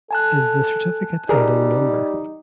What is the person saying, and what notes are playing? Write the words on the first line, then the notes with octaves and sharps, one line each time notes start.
Is the certificate a low number?
A4 G#5 A5 F#6
G3 D#4 G#4 A#4